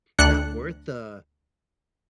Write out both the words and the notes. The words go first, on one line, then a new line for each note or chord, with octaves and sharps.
not worth the
D2 D4 F#6 C#7